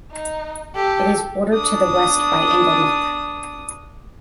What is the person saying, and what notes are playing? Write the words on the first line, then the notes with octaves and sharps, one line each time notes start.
It is bordered to the west by Inglenook.
D#4
G4 A4
D4 D#6